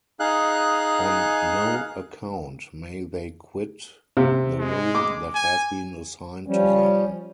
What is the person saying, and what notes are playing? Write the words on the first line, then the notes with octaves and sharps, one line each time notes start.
On no account may they quit the room that has been assigned to them.
D#4 G#4 F5 F#6
C3
G#3
D6
G#5
F3 G3 C#4